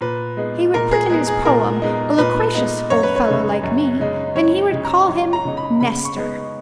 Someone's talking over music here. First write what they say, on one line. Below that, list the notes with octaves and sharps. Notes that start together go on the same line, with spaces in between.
He would put in his poem, a loquacious old fellow, like me, and he would call him Nestor.
A#2 B4
G#3 B3 D#4
A#2 A#4
G#4
G#3 B3 D#4 G#4
G#4
A#2 A#4
G#3 B3 D#4
A#2 B4
G#3 B3 D#4
F#2 C#5
B4
C#5
C#3 G#3 D#4
F#2
C#3 G#3 D#4
F#2 C#5
C#3 G#3 D#4
A#5
F#2
A#5
C#3 G#3 D#4
B5
C#3 B5
C#6
G#3 B3 D#4